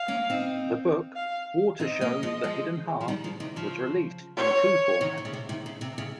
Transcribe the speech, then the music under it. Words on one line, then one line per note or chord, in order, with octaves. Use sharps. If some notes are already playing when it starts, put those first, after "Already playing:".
The book "Water Shows the Hidden Heart" was released in two formats.
Already playing: F5
A#3 C#4
C4 D#4
F5
C4 D#4 D#5
A#3 C#4
F3 G#3
F3 G#3
F3
D#3 G3
C#3 F3
C3 D#3
C#3 F3
C#5
C3 D#3
C3
C#3
C3
C3 D#3
C#3
C3
C#3